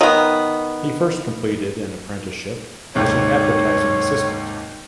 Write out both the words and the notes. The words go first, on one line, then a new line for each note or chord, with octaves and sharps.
He first completed an apprenticeship as an advertising assistant.
D#3 B3
D#2 G#2 C3 C#5